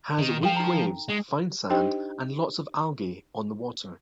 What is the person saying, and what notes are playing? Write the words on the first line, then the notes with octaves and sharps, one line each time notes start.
Has weak waves, fine sand and lots of algae on the water.
D#3
F3 A4 G5
D#4 A#5
G#3
D4 D#4 G4 C5 D#5 G5